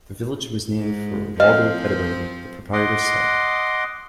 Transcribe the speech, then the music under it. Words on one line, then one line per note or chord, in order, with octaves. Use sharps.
The village was named for Waldo Pettibone, the proprietor's son.
G#2
F3 C4 D#5 F5
D#5 F#5 C6 D6